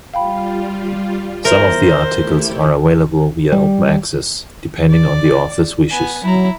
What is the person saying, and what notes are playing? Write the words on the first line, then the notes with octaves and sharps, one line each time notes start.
Some of the articles are available via open access, depending on the author's wishes.
G3 F4 F5 G5 B5
E2 A#4 C5 E5
A3 E4 G4
G3
D5
B3 G#5
F#3 E4 A#5